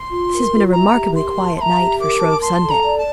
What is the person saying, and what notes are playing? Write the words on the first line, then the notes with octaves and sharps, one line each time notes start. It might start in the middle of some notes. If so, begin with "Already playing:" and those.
This has been a remarkably quiet night, for Shrove Sunday!
Already playing: C6
F4
A#4
F4
E5 A#5
G4
A#4 C6
A5
E5 A#5 C6
G4
A#4 D6
A5
A5 C6
A4
A#5
D5
A5